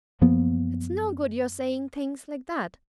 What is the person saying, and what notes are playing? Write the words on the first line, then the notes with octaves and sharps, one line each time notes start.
It's no good your saying things like that.
F#2 F3 A#3 B3